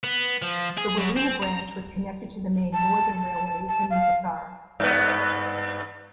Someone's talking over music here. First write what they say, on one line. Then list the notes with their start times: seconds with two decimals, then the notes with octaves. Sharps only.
The Wiluna branch was connected to the main Northern Railway at Meekatharra.
0.04 B3
0.42 F3
0.78 G#4
0.97 F#2
1.16 C4
1.43 A#5
2.73 A5
3.68 A5
3.91 F5
4.80 G2 B3